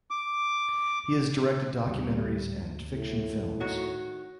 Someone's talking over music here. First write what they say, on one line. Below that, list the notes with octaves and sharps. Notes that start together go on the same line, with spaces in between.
He has directed documentaries and fiction films.
D6
D2 G#2 G3
A2
D#3 F#4 C#5